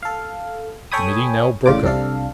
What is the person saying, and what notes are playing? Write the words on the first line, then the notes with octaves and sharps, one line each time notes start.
The meeting now broke up.
A4 F5
A4 C#5 G5 G#5 B5 D#6
A1 A2 C#3 F4 D5 D6
C2 C3 D4 A4 F5